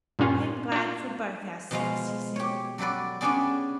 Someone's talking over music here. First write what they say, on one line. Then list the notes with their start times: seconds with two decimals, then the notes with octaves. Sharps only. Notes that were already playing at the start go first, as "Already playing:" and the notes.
"I am glad for both our sakes," he said.
0.19 G2 A#2 C#4 F4
0.72 D4 F4
1.71 B2 F3 G#3 F5
2.36 G4 C#5
2.78 F#3 G3 A4 B4 D5
3.21 G3 B3 C#4 D4 G#4 D5